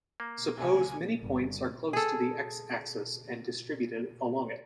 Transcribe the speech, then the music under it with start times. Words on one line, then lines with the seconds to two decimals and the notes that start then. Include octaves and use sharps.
Suppose many points are close to the "x" axis and distributed along it.
0.20 A#3
0.58 C#2 C3 G#5
1.20 G1
1.93 G#4 A4